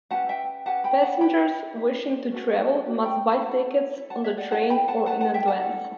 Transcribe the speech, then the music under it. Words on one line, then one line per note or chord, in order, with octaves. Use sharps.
Passengers wishing to travel must buy tickets on the train or in advance.
C#4 G4 B4 F#5 A5
E5 G5
C#4 G4 B4 F#5 A5
G5 B5
F#5 A5
D4 G4 B4 G5 B5
D4 G4 B4
C#4 F#4 A4
C#4 F#4
G5 B5
B5
E4 A4 F#5 A5
E4 A4
F#5 A5
C#5 E5
D5 F#5
E4 B4 F#5 A5
G5 B5
F#5 A5
E4 B4 F#5 A5
F#5 A5
E5 G5
F#5 A5
C#4 E4 A4